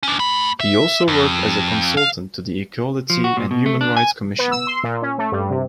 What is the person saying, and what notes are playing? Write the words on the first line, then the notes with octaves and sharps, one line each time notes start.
He also worked as a consultant to the Equality and Human Rights Commission.
C#4 D4
A3 B5
E5
F2
F5
F3
F#4
A#2
B2
A3
D4
G#5
B3
E6
C6
A#2
C#4
A3
G2
C3